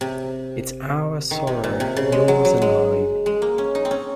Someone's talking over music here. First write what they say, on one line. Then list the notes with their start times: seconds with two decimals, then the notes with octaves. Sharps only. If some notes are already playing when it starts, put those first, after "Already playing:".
It’s our sorrow — yours and mine.
0.01 C3
1.31 D#3
1.47 C3
1.64 A#2
1.80 C3
1.96 C#3
2.12 G#3
2.28 F#3
2.45 F#3
2.62 G#3
3.26 G#3
3.42 A#3
3.58 C#4
3.75 D#4
3.85 C4
3.91 C#4